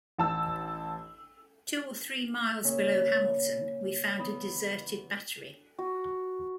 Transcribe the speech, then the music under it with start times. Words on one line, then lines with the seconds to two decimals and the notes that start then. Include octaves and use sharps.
Two or three miles below Hamilton we found a deserted battery.
0.18 A1 A5 E6
2.64 A#2 C#3 A#3 C#5 E5
4.17 E2 E4 B5 D#6
5.78 F#4